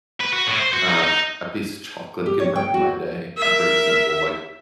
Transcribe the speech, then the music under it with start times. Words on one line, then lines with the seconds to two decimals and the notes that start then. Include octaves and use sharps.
Um, a piece of chocolate can brighten my day, I'm pretty simple, like,
0.20 B4
0.32 F#4
0.47 A2
0.59 C5
0.73 F#4
0.89 D#4
1.03 D#4
2.26 G4
2.40 C#5
2.56 G5
2.74 F#4
3.38 A#4 E5